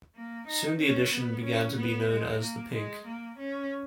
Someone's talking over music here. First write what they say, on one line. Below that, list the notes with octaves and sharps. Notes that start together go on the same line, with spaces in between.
Soon the edition began to be known as "the Pink".
A#3
D#4
C#4
B3
C#4
B3
G#3
A#3
G#3
A#3
C#4